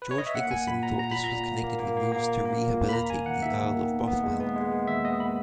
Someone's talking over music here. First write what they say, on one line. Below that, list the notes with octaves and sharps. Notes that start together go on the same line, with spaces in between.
George Nicholson thought this was connected with moves to rehabilitate the Earl of Bothwell.
B4
C#5
D#5
E5
A#3 F#5
A#3 G#5
A#2 B5
A#2 A#5
A#2 A#5
A#2 B5
A#5
A#2
A#3
A#3
A#3
A#3
A#3
A#3
A#3
A#2
A#3
B5
D#2 A#5
D#2 G#5
D#3 F#5
D#3 E5
D#2
D#3
B3
B3
G#3
B3
G#3
G#3
D#2 E5
B3 D#5
B3 B5